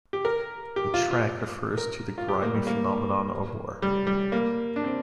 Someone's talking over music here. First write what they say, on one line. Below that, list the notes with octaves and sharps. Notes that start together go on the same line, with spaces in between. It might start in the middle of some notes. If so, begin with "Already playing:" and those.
The track refers to the grimy phenomenon of war.
G4
A#4
G4
F4
F4
A#4
F4
G4
A#3
G3
A#3
G3
G3
A#3
D4
C4